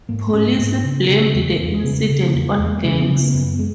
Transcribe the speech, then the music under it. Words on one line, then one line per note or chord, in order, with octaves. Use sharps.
Police blamed the incident on gangs.
G#2 A#3
G#2 C#4
B3
G#2 A#3
B3
C#3
C#3
E2
E2
C#3 B3
C#3
E2 A#3
E2
A#3
C#3 G#3
B3
C#3
B3
A#3
F#2 B3
G#3